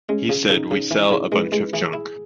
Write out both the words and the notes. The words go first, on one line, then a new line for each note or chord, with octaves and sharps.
He said "We sell a bunch of junk".
G#3 C#4
C#3
C#3 D#4
C#3
E3 E4
C#3
G#3 B4
G#3
E3 G#4
E4